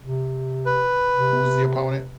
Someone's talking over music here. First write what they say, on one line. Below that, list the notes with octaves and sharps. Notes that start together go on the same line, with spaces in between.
who was the opponent?
C3
B4
C3